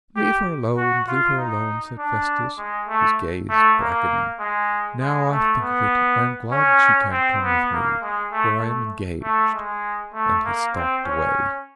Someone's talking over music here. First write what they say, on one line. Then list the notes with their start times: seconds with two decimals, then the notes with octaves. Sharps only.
'Leave her alone, leave her alone,' said Festus, his gaze blackening. 'Now I think of it I am glad she can't come with me, for I am engaged;' and he stalked away.
0.16 G4
0.77 F#4
1.08 F4
1.38 D#4
1.98 D4
2.58 G#3
2.89 A3
3.50 A3
3.80 A#3
4.40 G#3
5.00 G#3
5.31 A3
5.60 B3
6.52 C#4
7.12 C4
7.43 B3
7.73 A#3
8.03 G#3
8.32 A3
8.63 A3
9.24 A3
9.54 G#3
10.14 A3
10.45 A#3
10.75 C4
11.05 C#4